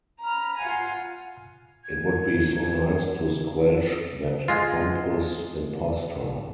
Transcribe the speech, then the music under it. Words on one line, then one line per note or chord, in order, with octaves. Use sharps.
It would be so nice to squelch that pompous impostor.
A#5 B5 F6
F4 F5 F#5 G#5
G#6
G#3 F4